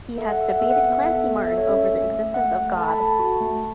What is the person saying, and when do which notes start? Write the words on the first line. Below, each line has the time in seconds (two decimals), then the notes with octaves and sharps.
He has debated Clancy Martin over the existence of God.
0.18 A4 E5
0.28 F#5
0.39 A4 E5
0.49 F#5
0.60 B3 E5
0.70 F#5
0.80 B3 E5
0.91 F#5
1.02 A4 E5
1.26 A4
1.47 A4 E5
1.57 C#5
1.67 C#4 E5
1.90 A3
2.12 A3
2.34 A3 F#5
2.56 A3
2.77 A4 A5
2.88 B5
2.98 A4 A5
3.19 F#4
3.41 A3